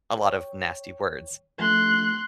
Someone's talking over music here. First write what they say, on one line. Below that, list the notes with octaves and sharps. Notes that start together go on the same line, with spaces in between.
a lot of nasty words.
C#5 G5
F3 A3 C6 F#6